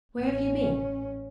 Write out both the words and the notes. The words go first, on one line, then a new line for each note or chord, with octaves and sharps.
Where have you been?'
A1 C#4